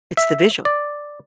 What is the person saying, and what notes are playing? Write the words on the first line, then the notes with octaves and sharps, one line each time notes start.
It's the visual.
E5
D5